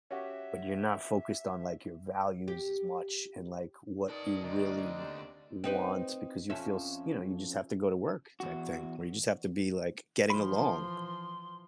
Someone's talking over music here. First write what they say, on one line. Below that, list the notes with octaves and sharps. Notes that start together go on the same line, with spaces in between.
but you're not focused on like your values as much and like what you really want because you feel, s you know, you just have to go to work type thing. Or you just have to be like getting along.
C#4 F#4 G4 E5
G4
D#3 B4 D5 A5
D2 D3 D#4 D5
D#2 C3 D4 D5
C4 D#4 B4
F2 C#4 E5
E2 F#4
E3 F3 B5 C6